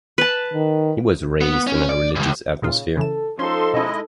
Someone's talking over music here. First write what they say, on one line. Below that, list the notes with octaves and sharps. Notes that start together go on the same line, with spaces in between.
He was raised in a religious atmosphere.
B4 A5
D#3
B3
C#4
D5
C#2 G2
A#2 C#3 D#4 F4
C#3 E3 A4 E7
F3 C#4 D#4 A4 C6
B2 G#3 C#4 E4 D#5